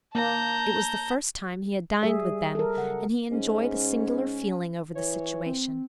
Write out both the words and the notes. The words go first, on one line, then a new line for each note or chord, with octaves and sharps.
It was the first time he had dined with them; and he enjoyed a singular feeling over the situation.
A#3 A5 A#5 G6
G3 G#4 E5
A4 A#4
C#3 F#3 F#5
G#2 C#4
E3 C#5
C4